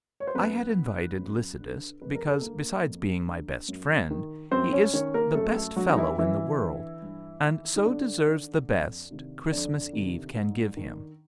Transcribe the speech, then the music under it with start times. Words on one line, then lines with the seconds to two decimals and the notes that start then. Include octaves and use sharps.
I had invited Lycidas, because, besides being my best friend, he is the best fellow in the world, and so deserves the best Christmas eve can give him.
0.20 C#5
0.27 C5
0.35 F#2 B3 B4
0.76 D3
1.18 F#2
1.60 D3
2.02 F2 B4
2.15 A#4
2.28 A4
2.41 D3 A#3 A#4
2.85 F2
3.27 D3
3.68 F#2
4.11 D#3
4.51 F#2 C4 C5
4.72 C#4 C#5
4.93 D#3 C#4 C#5
5.14 A#3 A#4
5.35 F#2 A3 A4
5.56 A3 A4
5.76 D3 F#3 F#4
5.90 D#4
5.97 E3 E4
6.18 F#2 E3 E4
6.60 D3
7.02 G2
7.44 D#3
7.76 D#4
7.85 G2 D3 D4
8.27 D#3
8.69 F2
9.11 C3 D#3
9.52 F2 D3 D4
9.93 C3 D#3
10.35 G#2
10.77 D#3